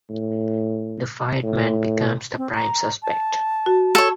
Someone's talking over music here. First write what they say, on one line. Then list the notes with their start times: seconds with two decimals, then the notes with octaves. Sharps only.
The fired man becomes the prime suspect.
0.10 A2
1.43 A2
2.37 C4
2.55 A#5
3.03 A5
3.66 F#4
3.95 A4 C#5